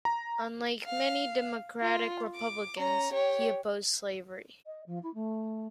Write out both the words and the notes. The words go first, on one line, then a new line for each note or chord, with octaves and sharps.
Unlike many Democratic-Republicans, he opposed slavery.
A#5
F5
F4
D6
C#4 A#5
G4 C#5
D#5
F3
E4
A3